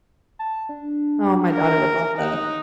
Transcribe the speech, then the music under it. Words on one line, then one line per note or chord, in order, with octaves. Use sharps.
Oh, my daughter would love that.
A5
D4
A#4
D#4 F#6